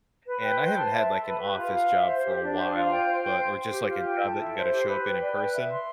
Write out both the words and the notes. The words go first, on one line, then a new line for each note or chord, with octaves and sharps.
and I haven't had, like, an office job for a while, but or just, like, a job that you gotta show up in in person
B4
G5
C5
A5
E5
A4
B4
G4
F4
F5
E5
C5
G4
D4
C5
F4
G5
C5
G5
C5
C5
G4
F4
G5
A4
E4
C5
G4
B4
G5
D5
B4
E5
C6